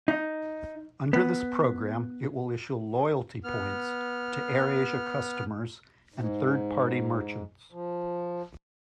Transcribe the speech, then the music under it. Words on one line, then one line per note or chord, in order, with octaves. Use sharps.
Under this programme it will issue loyalty points to AirAsia customers and third-party merchants.
D#4
B3
B3 F6
G#2
F3